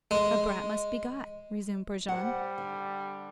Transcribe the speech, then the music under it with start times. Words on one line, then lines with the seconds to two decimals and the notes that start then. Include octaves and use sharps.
"A brat must be got," resumed Brujon.
0.11 G#3
2.08 G3 C5 F#5
2.58 D3